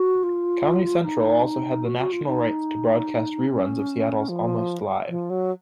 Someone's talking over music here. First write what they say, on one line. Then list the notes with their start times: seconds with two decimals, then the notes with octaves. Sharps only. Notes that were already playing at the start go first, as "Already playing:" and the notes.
Comedy Central also had the national rights to broadcast reruns of Seattle's Almost Live!
Already playing: F#4
0.23 F4
1.04 D#4
1.85 F#4
1.99 F#4
2.12 F4
2.26 D#4
3.47 C#4
4.28 F3
5.09 F3
5.30 F#3